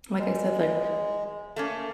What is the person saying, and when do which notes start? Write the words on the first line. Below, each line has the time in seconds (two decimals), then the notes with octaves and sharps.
like I said, like,
0.19 G#3
1.56 A3 A#3 C#4